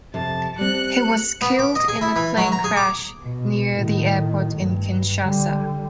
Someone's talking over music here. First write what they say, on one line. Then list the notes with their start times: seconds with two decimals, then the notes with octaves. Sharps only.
He was killed in a plane crash near the airport in Kinshasa.
0.14 F2 C3 A5
0.59 G3 C4 F#6 C#7
1.42 B3
1.59 D6
1.76 D#5
1.88 G#4
2.01 E4
2.16 E3
2.37 F#3
2.52 A#5
2.64 G#4
2.77 D6
3.23 B2
3.76 A2 D#3
4.58 G2
5.23 D3 G3